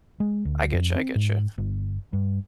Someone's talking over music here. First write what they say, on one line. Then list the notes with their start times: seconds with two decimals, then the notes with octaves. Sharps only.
I get you, I get you.
0.20 G#3
0.45 D2
0.73 F2
0.96 C4
1.15 G#2
1.58 G1
2.13 G2